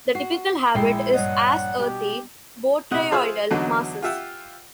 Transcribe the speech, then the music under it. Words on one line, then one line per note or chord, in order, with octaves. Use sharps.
The typical habit is as earthy botryoidal masses.
F#4 C7
A#1 G#3 E4 G5 C7
G2 C#5 D#5 F#5
B2 G4
C3 D#5 F#5
F4 G#4 C5 E5 F5
E2 D3 F#3 D#4
F4 G4 E5 F#5